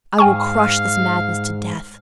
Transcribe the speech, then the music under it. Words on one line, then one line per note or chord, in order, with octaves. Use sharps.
I will crush this madness to death.
G#2 F5 G5 G#5 C#6